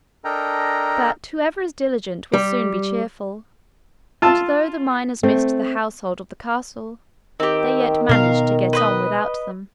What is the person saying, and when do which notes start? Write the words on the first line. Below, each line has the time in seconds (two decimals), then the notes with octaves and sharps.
But whoever is diligent will soon be cheerful, and though the miners missed the household of the castle, they yet managed to get on without them.
0.25 D4 A4 A#4 D#5 G5 A#5
2.34 G3
4.22 F4 A5 E6
5.23 A3 C4
7.40 D#3 C4 G4
8.09 B2 B3 A#4 F5
8.73 B4 C5 D#5